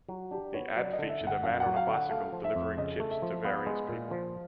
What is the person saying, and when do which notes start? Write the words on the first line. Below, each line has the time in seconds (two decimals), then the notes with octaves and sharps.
The ad featured a man on a bicycle delivering chips to various people.
0.09 F#3 F#4
0.31 D4 G4
0.54 B3 C#5
0.76 F#3 D5
0.93 D#5
0.99 D3
1.09 E5
1.21 G1
1.27 F#5
1.43 F#2 F5
1.60 F#5
1.66 F#3
1.76 F5
1.87 D3
1.94 F#5
2.10 A3 F5
2.32 F3
2.44 E5
2.55 F2
2.77 C#3 D#5
3.00 A3
3.11 E5
3.22 F3
3.44 B3 F5
3.66 G#3
3.89 A#2
4.11 F3